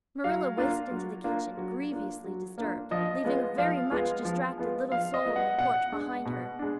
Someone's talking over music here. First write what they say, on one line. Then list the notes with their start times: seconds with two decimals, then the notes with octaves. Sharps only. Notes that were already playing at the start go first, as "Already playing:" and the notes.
Marilla whisked into the kitchen, grievously disturbed, leaving a very much distracted little soul in the porch behind her.
0.24 F#3 F5
0.57 A#3 D4 F4
0.91 F#3
1.24 A#3 D4 F4
1.57 F#3
1.91 A#3 D4 F4
2.24 F#3
2.58 A#3 D4 F4
2.91 F3 D#5
3.25 G#3 B3 F4
3.58 F3 F5
3.91 G#3 B3 F4
4.25 F3
4.58 G#3 B3 F4
4.92 F3 F5
5.14 D#5
5.25 G#3 B3 F4
5.36 F#5
5.58 B2 F#5
5.92 G#3 D4
6.25 B2
6.59 G#3 D4